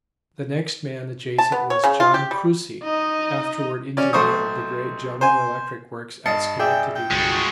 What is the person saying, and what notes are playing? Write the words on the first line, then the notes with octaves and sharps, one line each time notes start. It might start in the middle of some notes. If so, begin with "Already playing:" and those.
The next man adjacent was John Kruesi, afterward engineer of the great General Electric Works at Schenectady.
A5
B3
C#5
C#3
F4
G4
G3
D#4 D#5
C#4 D5
B1 A3 C5 C#6 D#6
C5 G#5
G2 D#5 A5 C7 C#7
G#4 D5 E5 G5
G5
G1 C2 G#3 F#4 A6